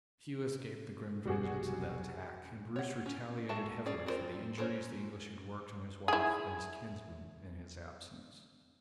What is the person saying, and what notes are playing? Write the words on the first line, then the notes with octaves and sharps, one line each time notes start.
Few escaped the grim vengeance of that attack, and Bruce retaliated heavily for the injuries the English had worked on his wife and his kinsmen in his absence.
F1 B1 F#2 G3 F#4 G#4
C#5 F#5
C#4
G#3 F#4 A4 E5 A5
C#4 G#4 D5
C4 D4 F4 A#4 C5
C#4 A4 A#4 C5 C#5
E4 G#4